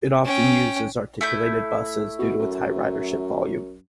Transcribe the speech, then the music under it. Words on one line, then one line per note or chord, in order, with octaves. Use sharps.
It often uses articulated buses due to its high ridership volume.
C#4 G5
A3 E4 G6
B2
F#2